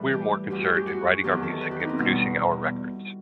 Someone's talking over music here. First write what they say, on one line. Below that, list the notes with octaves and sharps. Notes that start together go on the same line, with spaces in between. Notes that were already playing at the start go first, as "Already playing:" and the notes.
We're more concerned in writing our music and producing our records.
Already playing: A2 E3 G3 B4
G4
F#2 F#3 G4
G4
G4
F#4
E2 D#3 F#3 G4
A4
B4
G4
D#4
C4
E2 B2 G3 B3